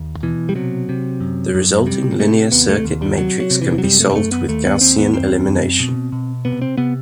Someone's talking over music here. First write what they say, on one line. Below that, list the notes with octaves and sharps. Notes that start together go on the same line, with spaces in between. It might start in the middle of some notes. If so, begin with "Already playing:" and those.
The resulting linear circuit matrix can be solved with Gaussian elimination.
Already playing: D#2
B2 E3
G3
C3 F#3
C3
F#2
F#2
C3 G3
C3 A3
D#2 B3
A3
D#2
G3
C3 F#3
F#3
C3
E3
F#3
F#2 G3
A3
G3
F#2 A3
B3
D#2 A3
B3
D#2 C4
B3
F#2 C4
F#2
B2
B2
C3 B3
C4
C3 B3